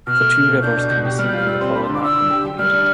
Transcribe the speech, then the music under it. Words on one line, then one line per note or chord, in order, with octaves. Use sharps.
The two rivers can be seen in the following map from the period.
B2 F6
A3
A3
B2
D4 G6
B2
B2
G4
G3 F6
G6
F4 F6
G3 E6
C4 C6
D4 B5
C6
D3
D6
D4 E6
D3
G4
G4
G3 F6
D4